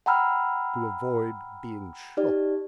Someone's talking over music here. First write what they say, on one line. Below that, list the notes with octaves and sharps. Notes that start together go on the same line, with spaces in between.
"To avoid being shot."
F#5 G5 A#5 B5 E6 F6
D#4 G4 D5